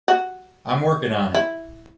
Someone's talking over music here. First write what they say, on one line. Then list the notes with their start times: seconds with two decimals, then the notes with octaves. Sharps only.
I'm working on it.
0.08 F#4
1.34 E4